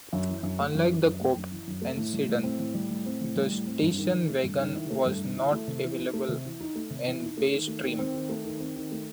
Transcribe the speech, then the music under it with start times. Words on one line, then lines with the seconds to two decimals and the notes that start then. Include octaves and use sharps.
Unlike the coupe and sedan, the station wagon was not available in base trim.
0.13 F#2
0.29 E3
0.43 F#2
0.59 A3
0.75 F#2
0.89 E3
1.05 F#2
1.20 A3
1.36 F#2
1.51 E3
1.67 F#2
1.82 A3
1.97 A2
2.13 G3
2.28 A2
2.43 C4
2.59 A2
2.74 G3
2.90 A2
3.06 C4
3.21 A2
3.36 G3
3.52 A2
3.67 C4
3.82 G2
3.97 D#3
4.13 E4
4.29 A3
4.43 G2
4.60 D#3
4.75 E4
4.90 A3
5.06 G2
5.21 D#3
5.37 E4
5.52 A3
5.67 C3
5.83 E3
5.99 D#4
6.13 A3
6.28 C3
6.45 E3
6.60 D#4
6.75 A3
6.90 C3
7.07 E3
7.22 D#4
7.37 A3
7.53 D#3
7.67 A3
7.83 D#3
7.99 C4
8.14 D#3
8.29 A3
8.44 D#3
8.60 C4
8.76 D#3
8.92 A3